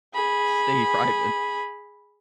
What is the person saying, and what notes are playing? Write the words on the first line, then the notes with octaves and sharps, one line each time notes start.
stay private.
G#4 B5